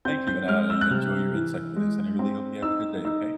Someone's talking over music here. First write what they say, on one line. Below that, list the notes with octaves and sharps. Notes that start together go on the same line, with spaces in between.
Thank you, and I enjoy your insight for this, and I really hope you have a good day, okay?
C4 G6
G6
G#3 F6
E6
F#6
C3 F6
E3
G#3
C4
D#4 E6
D#4 E6